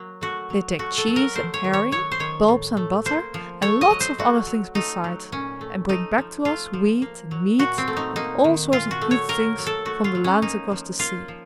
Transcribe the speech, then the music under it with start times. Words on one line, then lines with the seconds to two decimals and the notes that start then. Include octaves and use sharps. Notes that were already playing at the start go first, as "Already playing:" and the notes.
"They take cheese and herring, bulbs and butter, and lots of other things besides, and bring back to us wheat and meat and all sorts of good things from the lands across the sea."
Already playing: F#3 A#3
0.21 A3 F#4
0.50 F#3
0.79 A3 F#4
0.98 A4
1.08 F#3
1.16 A#4
1.35 A3 C5
1.54 C#5
1.64 D#3
1.73 C#5
1.92 F#3 C#5
2.12 C5
2.19 D#3 C#5
2.48 A2
2.77 A3
3.05 A#3 C5
3.34 F3
3.62 A3 C#5
3.81 D#5
3.90 F#3
4.00 C5
4.18 A3 F#4
4.47 F#3
4.75 A3 D#4
5.04 F#3
5.32 A#2 C#4
5.61 A3
5.89 A3 D#4
6.18 F3
6.45 A3 F4
6.73 F3
7.02 A#3
7.31 F#3
7.59 A#2 F#4
7.78 C4
7.88 A3
7.97 D#4
8.16 A#3 D#4
8.44 D#3
8.72 A#2 F4
8.91 F#4
9.01 A3
9.11 C#5
9.29 A#3 A#4
9.58 F#3
9.66 A4
9.85 A3 F#4
10.04 F4
10.15 F#3
10.24 C#4
10.42 A#3 D#4
10.72 F3
10.99 A#3 F4
11.28 F3